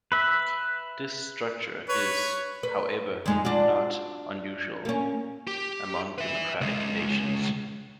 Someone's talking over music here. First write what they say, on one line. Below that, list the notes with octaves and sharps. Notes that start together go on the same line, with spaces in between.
This structure is, however, not unusual among democratic nations.
B4 E5
B4 C#5
B4
F2 G#3 D#4
D4 F4 F#4
A#3 C#4
G4
B4 E5
C#2 G#3